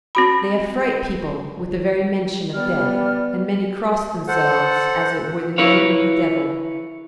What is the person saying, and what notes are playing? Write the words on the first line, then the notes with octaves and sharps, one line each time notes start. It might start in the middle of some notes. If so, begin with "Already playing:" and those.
They affright people with the very mention of death, and many cross themselves, as it were the name of the devil.
C4 F#4 B5
G3 B3 D5 F6
A4 C5 F#5
E4 A#4 B4 C#5 F5